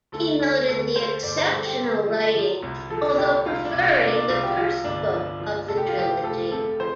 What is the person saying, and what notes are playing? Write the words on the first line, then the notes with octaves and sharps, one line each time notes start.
He noted the exceptional writing although preferring the first book of the trilogy.
D2 A4
D2
D2 A4
D2 C5
G1 D5
C5
G2 A4
G4
D3
F3
F3
C2
F3 A4
C2 G4
C2 F4
D4
C2
F4
C2 D4
D4
C2 F4
G4
F3 F4
G1 D4
F3
F3
F1 A4
G4
F4
F3 G4
F1 A4
C3 A4
F3 C5